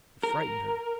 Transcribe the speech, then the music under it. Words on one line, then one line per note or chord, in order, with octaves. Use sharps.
It frightened her.
A#4